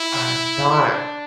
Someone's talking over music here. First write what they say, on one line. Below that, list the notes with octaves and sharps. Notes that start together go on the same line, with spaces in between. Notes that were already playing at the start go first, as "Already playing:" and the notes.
Uh, not,
Already playing: E4
D4